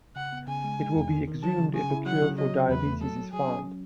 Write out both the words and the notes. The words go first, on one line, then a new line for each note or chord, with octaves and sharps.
It will be exhumed if a cure for diabetes is found.
C#3 F#5
B3
C#3 G#5
G#3
G#3
E2
D#3
D#3
F#3 A5
C#3
C#3 G#5
E4
F#3 F#5
C#3
F#3 D#5
C#3
E2 B4
A3
F#3 A4
F#3
F#3 G#4
C#4
F#3